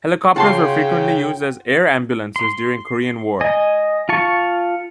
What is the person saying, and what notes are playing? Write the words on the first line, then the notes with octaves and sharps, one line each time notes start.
Helicopters were frequently used as "air ambulances" during Korean War.
C#3 F4 F#4 F#5 G5 A5 C6
C6
D#5 G#5
F4 A5 C#6